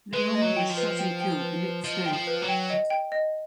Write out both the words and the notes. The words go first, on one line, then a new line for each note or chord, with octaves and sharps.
Leung was shot and killed the next day.
G#3 B4
D#5
F#3
G5
F3
B4
G5
G5
B4
B4
F3 D#5
G5
F3
B4
F#3
G5
D#5
G5
D#5